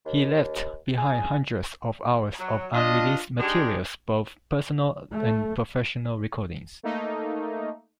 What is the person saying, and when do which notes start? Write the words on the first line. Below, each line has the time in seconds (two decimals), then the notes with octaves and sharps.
He left behind hundreds of hours of unreleased materials, both personal and professional recordings.
0.05 D#2
0.98 G#4
2.40 F#3
2.74 D4 F4 D#5
3.40 G#3 D4 D#4 G4 G#4
5.13 A3
6.83 A3 A#3 D#4